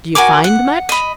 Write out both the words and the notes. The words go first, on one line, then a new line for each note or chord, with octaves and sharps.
"Do you find much?"
F#4 A#4 G#5 D6
F#5
D#5 B5